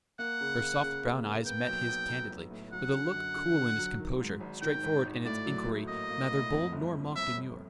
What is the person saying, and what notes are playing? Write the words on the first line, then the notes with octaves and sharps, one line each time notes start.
Her soft brown eyes met his candidly, with a look cool in its composure, straightforward in its enquiry, neither bold nor mock-demure.
A#3 F#5
C#3
A#3
C#3
A#3
A#3
B3 G5
B1
B1
B1
B1
A2
F#3 F#5
D3
F#2
D3
D3
F#3
D#3
G#2
G#1
D#3 G5
G#1
G#1
A2 D5
F#3
A2
A#3 D#5
A#3
A2
F2
G1
F2
G1 E5
G1